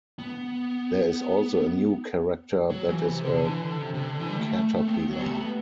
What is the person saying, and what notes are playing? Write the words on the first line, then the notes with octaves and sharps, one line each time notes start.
There is also a new character that is a caterpillar.
B3
F#3
E3
C3
D3
E3
D3
C3
C3
D3
E3
G3
A3
C4
B3
F#3
G3
A3
B3